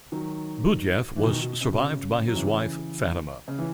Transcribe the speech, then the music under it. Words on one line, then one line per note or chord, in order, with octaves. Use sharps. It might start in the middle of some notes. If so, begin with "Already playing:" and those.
Boudiaf was survived by his wife, Fatima.
D#3 F#3
E3
B2 D#3
B2
C#3
B2
C#3
F#3
C#3 E3
C#3
E3